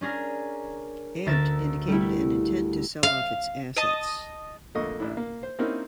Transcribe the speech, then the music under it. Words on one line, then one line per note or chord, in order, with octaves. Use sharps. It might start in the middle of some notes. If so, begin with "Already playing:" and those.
Amp'd indicated an intent to sell off its assets.
C#4 D4 G#4 A#4
D2 A#4 E5 A6 E7
G3 A3 E4
F5
D#5 A5
F2 D3 A3 A#3 D#5 C#6
A1 D4 E4
A#3
C5
A#3 C4 C#4 D#4 E4 A#4